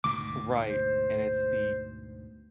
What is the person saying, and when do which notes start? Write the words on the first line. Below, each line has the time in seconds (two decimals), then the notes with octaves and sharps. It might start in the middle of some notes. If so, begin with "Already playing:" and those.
Right. And it's the
0.04 D2 G#2 B2 D6
0.69 C5